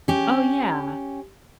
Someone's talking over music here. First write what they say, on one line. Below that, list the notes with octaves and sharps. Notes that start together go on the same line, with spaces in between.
Oh, yeah.
C#4 G4